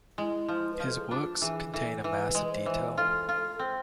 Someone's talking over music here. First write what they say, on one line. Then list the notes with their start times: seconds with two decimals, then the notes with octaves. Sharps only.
His works contain a mass of detail.
0.18 G#3 E4
0.48 F3
0.74 B4
0.80 F3
0.86 A4
0.98 G#4
1.11 D4 F4
1.41 E3 G#4
1.73 E3 A4
2.01 C5
2.04 E3 B4
2.35 G#3
2.41 B4
2.51 C5
2.66 E3
2.97 F4 A4
3.29 F4
3.59 C4